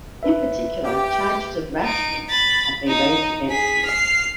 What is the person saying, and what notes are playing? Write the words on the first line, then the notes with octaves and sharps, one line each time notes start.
In particular, charges of rashness have been raised against him.
B4 E5
G4
D#4 D7
B5 A6
D#4
G#4 B6
F6 C7